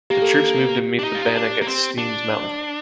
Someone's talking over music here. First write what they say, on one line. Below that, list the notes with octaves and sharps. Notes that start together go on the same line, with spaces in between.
The troops moved to meet the Bannock at Steens Mountain.
A#3 G4
A4
G4
D4
D#4
F4
D#4
D4
A#3
C4
D4